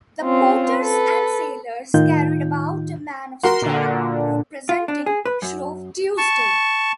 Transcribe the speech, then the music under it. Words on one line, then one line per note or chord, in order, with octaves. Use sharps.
The porters and sailors carried about a man of straw representing Shrove Tuesday.
C4 C#4 F4
A4 B4
A2 D#3 D#4 F4 G6
F#4 A#4 F#5 C6
A#2 D3
F4
D4
G#4
B4
F#2
A5 C#6